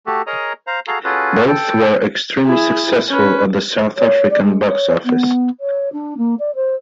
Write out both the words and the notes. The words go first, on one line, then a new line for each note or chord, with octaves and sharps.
Both were extremely successful at the South African box office.
A3 F#4 G4 A4
G#4 A#4 C#5 D#5 A#5 D#6
C5 F5 A#5
F#4 G#4 A4 F5 A#5
C#4 F4 F#4 G#4 A4 B4
A4 G5
E4 G#4
C#4 B4
C#5
D5
G#3
C#5
B3
C#5
D4
A#3
D5
C5